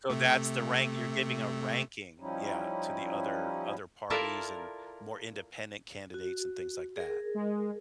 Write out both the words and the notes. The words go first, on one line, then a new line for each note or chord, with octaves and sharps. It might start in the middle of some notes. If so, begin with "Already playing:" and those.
So, that's the rank; you're giving a ranking, yeah, to the other other parties and more independent candidates and things like that.
C3 A3
F3 G3 C#4 D#4 E4
E4 F4 A4 A#4 D5 E5
F#4
G#4 A#4
G#3